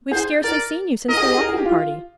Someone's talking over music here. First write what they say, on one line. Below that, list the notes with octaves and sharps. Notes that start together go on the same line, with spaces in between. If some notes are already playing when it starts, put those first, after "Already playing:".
We have scarcely seen you since the walking party.
G#4 C5
A#4 D5
A#4 D#5
G#4
G4
G#4
A#4
G#4
G4
F4